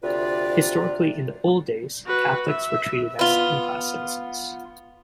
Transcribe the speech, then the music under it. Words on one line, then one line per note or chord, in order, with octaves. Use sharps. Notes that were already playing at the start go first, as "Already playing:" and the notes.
Historically in the old days, Catholics were treated as second class citizens.
D2 C3 F4 B4 D5
F#4 B4
E5
B3 F4